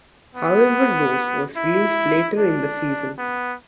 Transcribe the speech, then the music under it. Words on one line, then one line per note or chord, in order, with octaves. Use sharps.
However Rose was released later in the season.
B3
E4
D4
B3